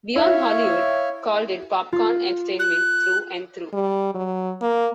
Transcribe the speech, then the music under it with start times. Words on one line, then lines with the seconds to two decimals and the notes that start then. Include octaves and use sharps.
"Beyond Hollywood" called it "popcorn entertainment through and through".
0.16 E4 C#5 E5 F5
1.92 F4
2.59 F#6
3.73 G3
4.15 F#3
4.62 A#3